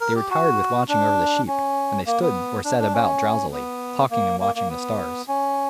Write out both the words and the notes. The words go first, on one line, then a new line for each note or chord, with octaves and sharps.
They were tired with watching over the sheep, and they stood or sat about, drowsily, talking and watching the stars.
A#4
G4
F#4
D4
C#4
A#3
B3
D4
D4
C#4
B3
A#3
A#3
A#3
B3
C#4